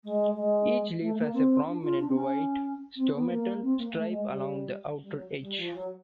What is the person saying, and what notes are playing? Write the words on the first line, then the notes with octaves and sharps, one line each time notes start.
Each leaf has a prominent white stomatal stripe along the outer edge.
G#3
G#3
A3
A#3
C4
D4
F4
D4
C4
C#4
C4
B3
A#3
C4
A#3
A3
G#3
G3
G3
F#3
G3
F3
F#3